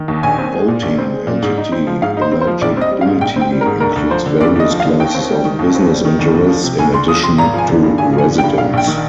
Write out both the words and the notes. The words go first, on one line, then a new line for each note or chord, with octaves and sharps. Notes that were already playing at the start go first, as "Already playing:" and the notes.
Voting entity eligibility includes various classes of business interests, in addition to residents.
Already playing: D#3
D#2
A#1 G#5
C4
G#3
A#2
A#1
C4
G#3
A#2
G#2
D#4
C4
F3
G#2 F5
D#4 C5
C4
C5
F3
A#1 D5
C4 D#5
G3
F5
G#2
A#1 G5
C4 G5
G3
A#4
G#2
D2 A#4
D2
F3 C5
D3
D2 D5
D2 D#5
F3
F5
D3
D#2 G5
C4
G3
D#3
D#2
C4
G3
D#3
D2
D2
F3
C3
D2 G#5
D2 C6
F3 D#6
C3 C6
G#1 A#5
F3 G#5
D3
G2
G#1 G#5
F3
G#5
D3
G5
G2
A#1 F5
A#1 G5
D#3